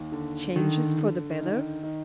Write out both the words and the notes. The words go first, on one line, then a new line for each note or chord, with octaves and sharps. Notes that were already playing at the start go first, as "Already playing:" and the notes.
"Changes for the better?"
Already playing: D#2
D3
D3 D#3
D3
D#3
D#3